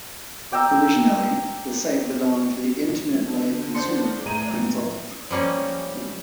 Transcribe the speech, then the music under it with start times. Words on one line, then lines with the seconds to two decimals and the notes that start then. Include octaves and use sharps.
Originally, the site belonged to Internet Life Consumer Group, a consulting firm.
0.52 D5 G5 A#5 E6
3.25 D3
3.74 D4 C5 F#5 C6 C#7
4.25 A2 E3 A3 G#4 G5 A#5 D#6 D#7
5.31 F3 G3 A#3 C#4